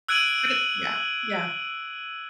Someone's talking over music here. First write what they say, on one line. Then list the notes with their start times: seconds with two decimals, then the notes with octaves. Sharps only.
but it Yeah, yeah.
0.08 E6 F#6 G#6 D7 D#7 F#7